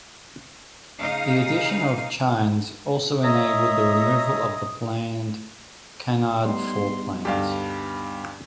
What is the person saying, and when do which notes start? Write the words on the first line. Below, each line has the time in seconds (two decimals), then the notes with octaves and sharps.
The addition of chines also enabled the removal of the planned canard foreplanes.
0.99 C#3 D#4 F5
3.22 C#5 D#5 E5 A#5 D#6
6.45 G3 B3 D#4 C6
7.25 D2 G2 G4 F5 B5